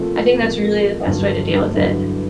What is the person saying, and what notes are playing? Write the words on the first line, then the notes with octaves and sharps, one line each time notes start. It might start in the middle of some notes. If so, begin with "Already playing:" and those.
I think that's really the best way to deal with it.
Already playing: A#2 F3 A3 C4
A#2 F3 A3 C4
G2 D3 F#3 B3 E4
G2 D3 F#3 B3 E4